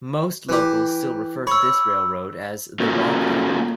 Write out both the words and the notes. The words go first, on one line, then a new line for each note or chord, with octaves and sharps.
Most locals still refer to this railroad as the "Rock Island".
E3 G4
C#5 B5 E6
A#3 C#4 F4 F#4 A4 A#4